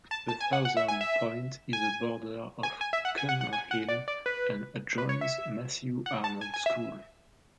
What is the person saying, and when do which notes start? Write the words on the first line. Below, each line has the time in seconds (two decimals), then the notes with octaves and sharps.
The southern point is a border of Cumnor Hill and adjoins Matthew Arnold School.
0.11 A5
0.29 A5
0.40 G#5
0.53 F#5
0.65 F#5
0.77 E5
0.88 G#5
1.01 E5
1.73 G#5
2.63 G#5
2.81 G#5
2.93 E5
3.05 F#5
3.18 G#5
3.29 F#5
3.41 F#5
3.53 G#5
3.71 F#5
3.88 D5
4.08 D5
4.26 B4
4.98 B4
5.09 C#5
5.21 E5
6.06 F#5
6.24 A5
6.41 G#5
6.54 G#5
6.66 E5